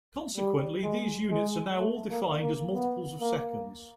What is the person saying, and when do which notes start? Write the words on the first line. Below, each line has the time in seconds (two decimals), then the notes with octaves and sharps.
Consequently, these units are now all defined as multiples of seconds.
0.37 G3
0.83 G#3
1.31 G#3
1.78 A3
2.10 A#3
2.42 A#3
2.74 B3
3.21 A#3